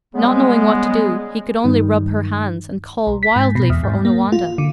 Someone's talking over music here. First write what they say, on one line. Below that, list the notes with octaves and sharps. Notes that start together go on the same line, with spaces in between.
Not knowing what to do, he could only rub her hands and call wildly for Onawandah.
C#3 G3 G#3 B3
G2 D#3
B1
B6
G#2
B2
E2
G#2
A#3
F4
D3